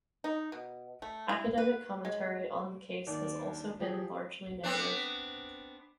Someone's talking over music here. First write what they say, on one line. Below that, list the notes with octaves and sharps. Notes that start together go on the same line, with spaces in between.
Academic commentary on the case has also been largely negative.
D#4
B2
A3
E4
B4
G#3
D#2 D5
D4
F3 G4 G#4
B3 C4 D4